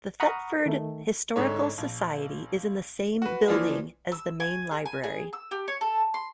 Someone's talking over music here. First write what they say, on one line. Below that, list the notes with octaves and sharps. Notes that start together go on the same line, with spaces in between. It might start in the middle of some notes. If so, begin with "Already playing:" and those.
The Thetford Historical Society is in the same building as the main library.
F#5 A#5 B5 C#6 D#6 F6
D#3 A3
G#1 G#2 D3 C#5
A#1
F#4 B4
E3 F3 A#3 D4 F4
E6
G#5
G#4
G#5
G#4
E6
G4
C#5
A4
C6